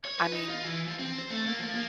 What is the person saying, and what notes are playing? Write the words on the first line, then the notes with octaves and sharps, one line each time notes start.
I mean,
C#5
B4
D#4
F4
E3
F3
C4
C5
A3
A#3
F3
A#3